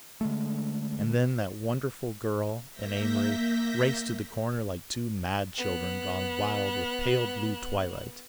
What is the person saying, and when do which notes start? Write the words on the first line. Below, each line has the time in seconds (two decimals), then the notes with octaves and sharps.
And then that wonderful girl and Amory raced to the corner like two mad children gone wild with pale-blue twilight.
0.21 D3 G#3 A3
2.71 A#3 E5 G6 A#6 B6
5.57 B3 F#6